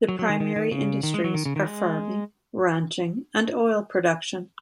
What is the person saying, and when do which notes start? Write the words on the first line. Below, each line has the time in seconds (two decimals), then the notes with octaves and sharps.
The primary industries are farming, ranching and oil production.
0.09 F#3
0.19 F#3
0.29 D#3
0.40 D#3
0.56 D#3
0.72 C#3
1.03 D#3
1.14 G#3
1.24 F#3
1.34 D#3
1.45 C#3
1.56 D#3
1.66 G#3